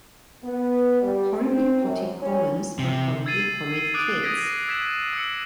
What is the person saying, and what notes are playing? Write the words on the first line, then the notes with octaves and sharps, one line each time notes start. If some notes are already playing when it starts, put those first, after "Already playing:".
Horribly Potty Poems for Horribly Horrid Kids.
B3
G3
C4
F#2
C#4
C3
E6 G#6 A6 C7 D#7
D6 D#6 F#6 C7 D7
D#6 G#6 A#6 B6 D7
E6 G#6 B6 E7
E6 C#7